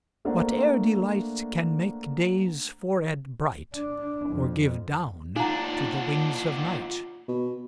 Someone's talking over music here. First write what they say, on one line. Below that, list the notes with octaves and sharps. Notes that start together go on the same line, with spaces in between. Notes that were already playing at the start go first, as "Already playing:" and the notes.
Whate'er delight Can make day's forehead bright Or give down to the wings of night.
A3 A#3 D4 C5 D5 F#5
D4
F2
D#2 D4 D#4 F4 F#5 A#5
B2